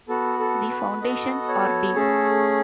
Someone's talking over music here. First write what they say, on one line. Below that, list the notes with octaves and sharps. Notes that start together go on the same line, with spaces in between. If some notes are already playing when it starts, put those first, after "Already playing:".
The foundations are deep.
B3 F#4 A4
A4
B4
B3 F#4 A4 D#5
C#5
A3 C#4 G#4 A4